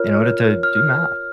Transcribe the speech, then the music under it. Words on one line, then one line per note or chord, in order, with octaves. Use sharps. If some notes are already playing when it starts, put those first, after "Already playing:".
in order to do math.
Already playing: F4 A#4 C#5 F6
F6